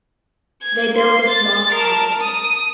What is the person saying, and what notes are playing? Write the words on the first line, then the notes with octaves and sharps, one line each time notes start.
They built a small cabin.
G#6
C6
A6
A#4 A5
D#6